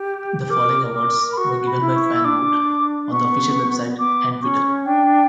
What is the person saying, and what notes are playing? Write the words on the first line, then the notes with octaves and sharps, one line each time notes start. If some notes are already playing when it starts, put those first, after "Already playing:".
The following awards were given by fan vote on the official website and Twitter.
Already playing: G4
A#4 D6
D6
B5
F#4 C#6
B5
E4
C#6
E6
D4 D6
B3 C#6
B3 D6
C#4 C#6
D4 G5